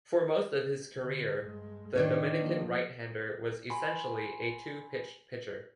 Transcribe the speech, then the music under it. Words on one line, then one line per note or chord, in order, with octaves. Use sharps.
For most of his career, the Dominican right-hander was essentially a two-pitch pitcher.
D3
G2 G#3
A2 D#3 D4 C#5
F3 A#3
G#5 B5 C6